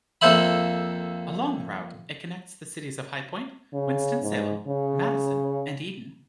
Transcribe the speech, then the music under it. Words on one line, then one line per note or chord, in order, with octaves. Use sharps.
Along the route, it connects the cities of High Point, Winston-Salem, Madison, and Eden.
F2 A#3 A4 C5 E5 B5
C#3
G#2
C#3